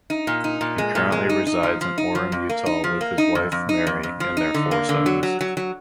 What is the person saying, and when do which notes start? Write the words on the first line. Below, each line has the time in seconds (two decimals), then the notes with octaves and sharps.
He currently resides in Orem, Utah with his wife, Mary, and their four sons.
0.10 D#4
0.27 A#2
0.44 D#4
0.61 A#2
0.78 G#3
0.95 A#2
1.12 G#3
1.29 D#4
1.47 D#4
1.63 F3
1.81 F3
1.98 D#4
2.15 F3
2.32 F2
2.50 A#3
2.66 D#4
2.84 F3
3.01 A#3
3.18 D#4
3.35 F2
3.52 F2
3.69 D#4
3.87 F2
4.03 F2
4.20 F3
4.37 D#4
4.54 D3
4.71 A#3
4.89 D3
5.06 F#3
5.23 F#3
5.41 F#3
5.57 F#3